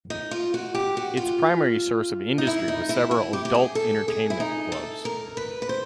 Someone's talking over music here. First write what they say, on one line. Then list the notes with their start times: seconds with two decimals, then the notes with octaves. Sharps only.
Its primary source of industry was several adult entertainment clubs.
0.10 D#4
0.31 F4
0.54 F#4
0.74 G4
0.97 F#4
1.17 F4
2.38 D#4
2.47 E4
2.68 D#4
2.89 E4
3.11 E4
3.33 G4
3.45 G4
3.55 G#4
3.75 A4
4.08 G#4
4.30 E4
4.40 D#4
4.72 A4
5.05 A#4
5.37 B4
5.62 B4
5.69 C5